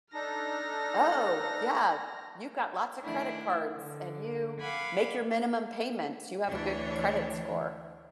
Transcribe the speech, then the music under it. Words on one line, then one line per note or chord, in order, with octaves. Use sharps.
"Oh, yeah. You've got lots of credit cards, and you make your minimum payments. You have a good credit score."
D4 D#4 A4 F6 A#6
D#3 A3 D4 E4
D3
F5 F#5 G#5 B5 D6
D2 E3 D4 C#5